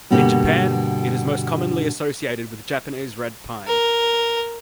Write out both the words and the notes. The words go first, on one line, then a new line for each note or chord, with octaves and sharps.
In Japan it is most commonly associated with Japanese red pine.
G2 B2 D3 A#3 G4
A#4